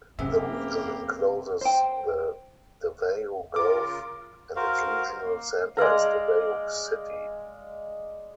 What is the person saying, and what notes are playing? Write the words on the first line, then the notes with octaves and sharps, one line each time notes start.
The region encloses the Davao Gulf and its regional center is Davao City.
F#2 C3 E3 A#3 C4 G4 G#4 E5
C5 G5
C#3 F4 A#4 D6
F#4 A#4 C5 F5
A#3
G#3 D5 F5 A#5